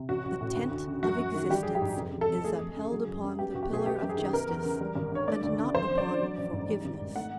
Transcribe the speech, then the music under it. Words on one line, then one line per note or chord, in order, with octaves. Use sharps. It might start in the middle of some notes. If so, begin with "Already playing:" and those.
The tent of existence is upheld upon the pillar of justice and not upon forgiveness.
Already playing: C3
A1 F#4
A1
A2
D2
D2
C#3
F#2 F#4
F#2
D#3
G3 G4
A#1 G#4
G4
G#2
F1
F1
A4
F2
A3 G#4
F2
C#3
F#3
F#1
F#2
B3 G4
C#2 F#4
G4
B2 G#4
B3 G4
F#2
G#4
D#3
B3 A#4
E2
C#3
G3
G#1
G2 C#5
A3 D5
D2
C#3
F2 C5
F2
D5
D3
F#3
A1
G#2
G3
G#1
G#2
A3 F#5